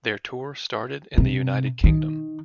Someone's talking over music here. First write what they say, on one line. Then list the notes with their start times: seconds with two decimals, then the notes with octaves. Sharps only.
Their tour started in the United Kingdom.
1.18 C3
1.84 D#3